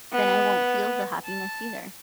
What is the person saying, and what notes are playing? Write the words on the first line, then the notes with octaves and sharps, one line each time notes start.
then I won't feel the happiness, either.
B3
A5